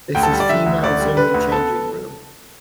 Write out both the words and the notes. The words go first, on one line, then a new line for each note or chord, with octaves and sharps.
This is females only changing room.
D2 G5
A4
G3
D5
D3 E5
D2
D2 D5
G3
D3 B4
D2
B3 A4